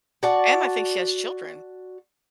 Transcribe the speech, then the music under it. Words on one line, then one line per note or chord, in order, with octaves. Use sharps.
And I think she has children.
F#4 D5 A5